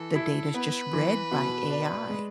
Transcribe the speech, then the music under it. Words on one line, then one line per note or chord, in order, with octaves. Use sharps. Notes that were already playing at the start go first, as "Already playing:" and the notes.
The data is just read by AI.
Already playing: E3 A4
E4
B3 B4
E3
B2
D4
G#3